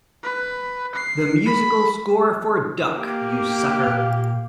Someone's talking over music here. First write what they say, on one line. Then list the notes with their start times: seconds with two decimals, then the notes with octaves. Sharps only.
The musical score for Duck, You Sucker!
0.23 B4
0.95 C7
1.46 B5
2.95 A#3 G4
3.83 A#2 F5